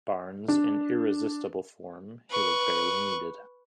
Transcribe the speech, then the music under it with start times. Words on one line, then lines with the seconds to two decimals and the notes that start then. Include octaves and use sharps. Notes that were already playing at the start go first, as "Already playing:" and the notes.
Barnes in irresistible form, he was barely needed.
0.48 D4
2.30 B4 C#6